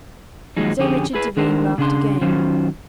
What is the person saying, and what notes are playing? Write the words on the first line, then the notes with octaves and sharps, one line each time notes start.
Sir Richard Devine laughed again.
D#2 F3 F#3 G#3 D#4
F2 D3 C#4 G4 G#4
E4 G#4 B4
D#3 G#3 D4 A4 A#4 C5
C#3 D4 G#4 G5 C6
D#3 F#3 C#4 F4 C5